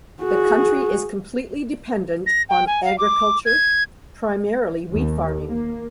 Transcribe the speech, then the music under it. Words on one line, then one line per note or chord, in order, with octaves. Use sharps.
The county is completely dependent on agriculture, primarily wheat farming.
F#4 G#4
A#6
G5
G#5
F5
D6
G#6
D#2
A#3